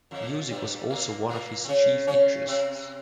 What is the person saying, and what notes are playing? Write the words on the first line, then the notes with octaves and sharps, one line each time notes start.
Music was also one of his chief interests.
F2 F3
G2 G3
A#2 A#3
A#2 A#3
C4
C#3 C#4
C#3 C#4
C3 C4